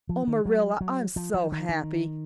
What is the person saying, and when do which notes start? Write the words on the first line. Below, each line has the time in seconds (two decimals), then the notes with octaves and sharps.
Oh, Marilla, I'm so happy.
0.09 F3
0.28 D#3
0.45 F#3
0.81 F#3
1.16 F3
1.34 F3
1.52 D#3
1.69 D#3